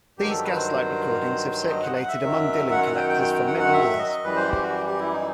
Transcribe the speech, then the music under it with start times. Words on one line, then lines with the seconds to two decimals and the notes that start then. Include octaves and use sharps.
These Gaslight recordings have circulated among Dylan collectors for many years.
0.18 G2 D#3 F#3 G4
0.30 A4
0.43 B4
0.55 C5
1.70 D#5
1.82 F#5
1.95 F#5
2.08 E5
2.21 F#2 D#3 F#3
2.71 F#5
2.84 F#5
2.97 G5
3.10 G5
3.22 G5
3.47 F#5
3.60 F#5
3.73 E5
3.98 D#5
4.24 F#2 E3 G3 B4
4.36 C5
4.49 G4
4.62 F#4
4.75 G4
4.86 G4
4.99 E4
5.12 D#4